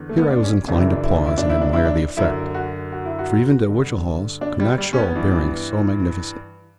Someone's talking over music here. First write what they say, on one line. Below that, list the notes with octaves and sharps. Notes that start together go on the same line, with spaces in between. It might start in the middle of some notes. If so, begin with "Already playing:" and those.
Here I was inclined to pause, and admire the effect; for even De Whichehalse could not show a bearing so magnificent.
Already playing: E2 D3
A3
B3
D4
C#4
F#2 C#3 E3 D4
E4
D4
E4
D4
E4
D4
E4
D4
E4
D4
F#2 D3 E4
F#4
F#4
E4
F#4
G2 D3
D4
G3
G3
C#4
B3
G2 E3